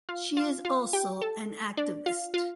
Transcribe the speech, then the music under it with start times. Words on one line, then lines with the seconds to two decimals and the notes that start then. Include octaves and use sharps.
She is also an activist.
0.09 F4 F5
0.37 F4 F5
0.65 F4 F5
0.93 G4 G5
1.22 A4 A5
1.77 D4 D5
2.06 F4 F5
2.34 F4 F5